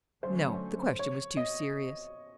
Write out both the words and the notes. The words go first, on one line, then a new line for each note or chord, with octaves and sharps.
No--the question was too serious.
D3 F#3 A3 C#4 C5
C#5
D#5